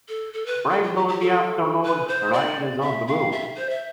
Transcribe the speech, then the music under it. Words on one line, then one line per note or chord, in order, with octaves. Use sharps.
Rainbow in the afternoon, rain is on the moon.
A4
A4
B4
A4
F4
G4
G4
A4
B4
C5
D5
E5
F5
E5
C5
E5